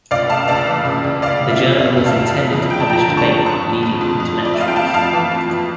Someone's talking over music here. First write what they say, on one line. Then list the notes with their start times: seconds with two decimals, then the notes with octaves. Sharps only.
The journal was intended to publish debate by leading intellectuals.
0.11 C#2 D5 F5
0.30 C#3 F5 A5
0.48 C#2 D5 F5
0.67 E3
0.85 C#3
1.04 C#2
1.22 C#2 D5 F5
1.41 C#3
1.50 E5
1.60 F3
1.78 C#2 E5
1.97 C#2
2.06 F5 A5
2.16 C#2
2.34 F2
2.53 F2
2.70 F2 G5
2.80 A5
2.89 F3 G5 A#5
3.08 D3
3.17 A5 C#6
3.28 F2
3.46 F2 A5 C#6
3.64 F3
3.83 F2
4.01 F2
4.20 F2
4.39 F3
4.45 D5
4.53 E5
4.58 F2 F5
4.68 G5
4.76 F2 F5 A5
4.94 F2 F5 A5
5.13 E3
5.32 F2
5.50 F2